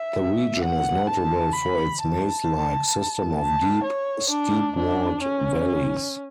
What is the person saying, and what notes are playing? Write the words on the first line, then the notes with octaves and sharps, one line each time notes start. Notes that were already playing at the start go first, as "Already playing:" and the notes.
The region is notable for its maze-like system of deep, steep-walled valleys.
Already playing: E5
F#5
A5
B5
A5
A5
C#5
D4
D4
C#4